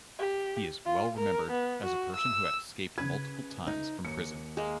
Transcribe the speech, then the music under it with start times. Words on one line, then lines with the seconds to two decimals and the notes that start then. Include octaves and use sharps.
He is well remembered as a person who had escaped multiple times from prison.
0.19 G4
0.85 F4
1.17 A#4
1.51 B3
1.84 F#4
2.16 E6
2.98 C#3 B4 G#6
3.67 D#4
4.05 D#2 C#7
4.57 G#3 A#3